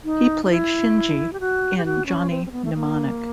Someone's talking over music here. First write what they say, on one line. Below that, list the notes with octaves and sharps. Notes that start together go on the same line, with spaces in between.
He played Shinji in "Johnny Mnemonic".
D#4
D#4
E4
G4
F#4
G4
F#4
C#4
C4
C4
B3
A3
A#3